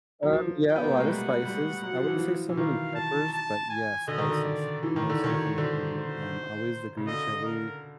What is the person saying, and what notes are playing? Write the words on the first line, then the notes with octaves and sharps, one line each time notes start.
Um, yeah, a lot of spices. I wouldn't say so many peppers, but, yeah, spices. Most definitely, um, always the green chili,
F#3
F3
G5
B3
A#3
A3
G#3
G3 F#5
G3
F#3
F3
E3
F3
E3
D#3 F5
A5
A5
G#5
D3 D#5
D#3
D3
D5
E3
D#3
D3
D#3 C#5
D3 C5
C5
C#3
D3 D#5
A#4